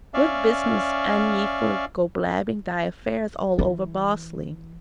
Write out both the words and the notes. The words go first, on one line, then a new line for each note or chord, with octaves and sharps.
'What business an' ye for go blabbing thy affairs all over Bosley?
C#4 D5 E5 F5
E3